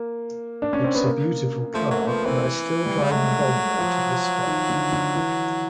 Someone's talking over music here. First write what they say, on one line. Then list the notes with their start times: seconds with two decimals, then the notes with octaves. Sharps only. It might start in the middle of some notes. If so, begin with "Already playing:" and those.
It's a beautiful car and I still drive a Volvo to this day.
Already playing: A#3
0.62 D4
0.73 C#4
0.84 C4
0.95 B3
1.06 A#3
1.74 F3 A3
1.91 F#3 A#3
2.08 F3 B3
2.25 E3 C4
2.86 G3
2.97 G#3
3.03 G3
3.11 F#3 A3
3.79 F3
4.47 D#3
4.70 D3
4.93 D3
5.15 E3